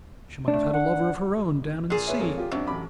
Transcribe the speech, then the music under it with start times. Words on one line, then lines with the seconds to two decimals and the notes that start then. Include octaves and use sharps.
She might have had a lover of her own down in the sea.
0.48 A3 D4
0.73 F#5
1.90 A#2 G#4
2.07 B4 C#5 E5
2.20 F2 A4 C#5
2.38 F4 G4
2.51 F#2 C4 D4
2.67 A1 B5 D6